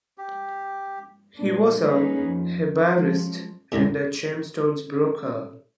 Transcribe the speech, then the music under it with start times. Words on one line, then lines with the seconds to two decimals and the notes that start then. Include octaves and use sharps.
He was hebraist and gemstones broker.
0.18 G4
1.38 A#2 G#3 B3 D4
1.82 G3 A#3 C#4 D#4 G#4 B4
2.22 F2
2.90 F3 F#3 G#3
3.72 C#2 F#2 A2 C3